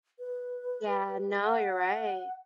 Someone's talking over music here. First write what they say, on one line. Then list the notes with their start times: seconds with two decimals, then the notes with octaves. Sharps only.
Yeah. No, you're right.
0.19 B4
1.44 F#5